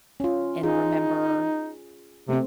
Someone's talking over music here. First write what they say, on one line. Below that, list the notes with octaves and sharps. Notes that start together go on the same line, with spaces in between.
and remember,
C#4 F4
D#4 F4 G#4
C3 A3 C4